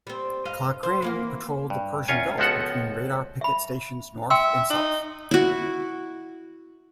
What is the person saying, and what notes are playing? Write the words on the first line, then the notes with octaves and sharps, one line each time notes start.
"Klakring" patrolled the Persian Gulf between Radar Picket Stations North and South.
G3 C4
G2 D#5 F5
C5
E3 A#3 F#4
G2
E2 C#4 F4 C#5 G#5
C#2 F3 B3 F#4 A4 F#5
E5 B5
E5 G5 C6 E6
D#4
E4 F#4